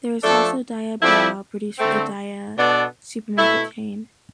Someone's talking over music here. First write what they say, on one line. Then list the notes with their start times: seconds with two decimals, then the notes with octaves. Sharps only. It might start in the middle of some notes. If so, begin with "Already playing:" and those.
There is also Diabrau, produced for the Dia supermarket chain.
0.22 F3 A3 D4 A4
1.00 F3 C4 E4 A4 D5
1.78 D3 A3 C4
2.57 B2 B3 D4 A4 D5
3.34 B2 A3 E4